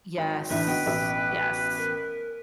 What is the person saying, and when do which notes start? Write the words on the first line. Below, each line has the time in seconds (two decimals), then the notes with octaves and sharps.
Yes, Yes.
0.18 G#1
0.50 A1 A2 D3 D4 B4 E5
0.67 B3 F#4 D#5 G5
0.86 A1 B2 B3 E5
1.78 A#4